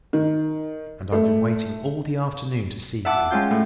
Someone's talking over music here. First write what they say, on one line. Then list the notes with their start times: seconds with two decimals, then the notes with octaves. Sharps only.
And I've been waiting all the afternoon to see you.
0.13 D#3
1.12 A3
3.05 E5 F#5 A5 D6 E6
3.30 G#3 C#4 F4 G5
3.51 A2